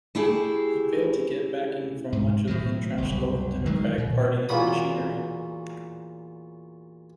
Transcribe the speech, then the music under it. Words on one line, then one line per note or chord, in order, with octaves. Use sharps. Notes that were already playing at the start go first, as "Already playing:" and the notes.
He failed to get backing from much of the entrenched local Democratic Party machinery.
A3 E4 G4 G#4
G#2
A2 D#3 F#3
F#1 C2
D#3 F#3 G#3
A#2
E2 A#2 F#3 B5 D#6